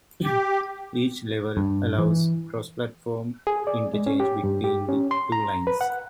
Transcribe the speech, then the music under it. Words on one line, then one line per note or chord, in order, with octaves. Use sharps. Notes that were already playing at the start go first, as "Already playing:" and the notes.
Each level allows cross-platform interchange between the two lines.
G4
G2
E3
G#4
D5
G#3
C#4
G4
G2
G4
C#4
C6
A#5
B4
F#5